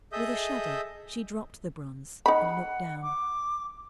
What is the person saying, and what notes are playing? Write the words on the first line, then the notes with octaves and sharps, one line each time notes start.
With a shudder she dropped the bronze, and looked down.
G#4 A4 D#5 E5 D#6 G6
D#4 F#5 B5
D6